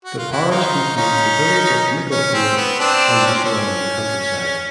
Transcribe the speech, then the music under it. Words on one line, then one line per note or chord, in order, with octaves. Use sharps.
The parish contains the village of Micklefield and the surrounding countryside.
F#4
F4
E4 F#4
D#4 F4
C#4 D#4
C#4
C4
B3
C4 D4
C#4
C4
C#4